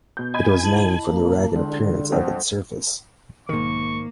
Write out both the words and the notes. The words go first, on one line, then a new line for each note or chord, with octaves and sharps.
It was named for the ragged appearance of its surface.
B2 G6
D#5 G#5 B5 G#6
E4 A5 F#7
A#3
C#2 D3
G1 F2 C4 C5 F#5
B1 G#2 D#3 A#3 C#6